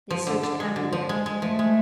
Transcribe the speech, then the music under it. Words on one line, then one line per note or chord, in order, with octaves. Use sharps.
They searched everywhere.
F3
D3
D3
G#3
D3
F3
G#3
G#3
F3 A3
G#3